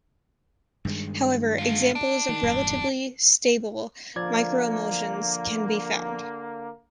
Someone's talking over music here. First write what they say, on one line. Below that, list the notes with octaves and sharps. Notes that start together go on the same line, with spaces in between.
However, examples of relatively stable microemulsions can be found.
G2 D#3 G#3
B3 F4
D4
D#3
D#1 F#2 A2
D3 F3 A#3 D5 G#6